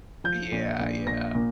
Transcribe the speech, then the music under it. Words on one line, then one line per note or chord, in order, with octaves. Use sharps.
Yeah, yeah.
F3 G6
A#1
A#1
A#1 A#6
A#2